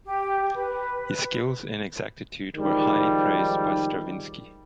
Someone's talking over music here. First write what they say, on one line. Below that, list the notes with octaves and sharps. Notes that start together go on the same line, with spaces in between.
His skills and exactitude were highly praised by Stravinsky.
G4
B4
G#2 D#3 F3 G3